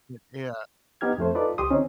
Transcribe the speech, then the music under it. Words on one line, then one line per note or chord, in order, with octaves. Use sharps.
Y yeah,
B3 D#4 G4 F6 G#6
F2 A3 C5
D#4 F4 A4 B4 D5
C#2 G4 C6 D#6
D3 D#3 C4 C#4 D#4